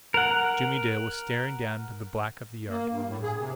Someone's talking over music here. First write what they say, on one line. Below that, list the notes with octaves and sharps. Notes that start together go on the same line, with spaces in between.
Jimmie Dale was staring down into the black of the yard.
A#4 F#5
A#3
G2
A2
G#4
C3